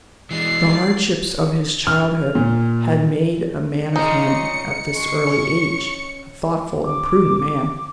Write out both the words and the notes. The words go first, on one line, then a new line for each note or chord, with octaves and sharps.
The hardships of his childhood had made a man of him at this early age, a thoughtful and prudent man.
E3 G#3 D5 C7
F6
A#2
A#2 C#3 D#4 D#5 C#7
G#3 C#6
C#4
D6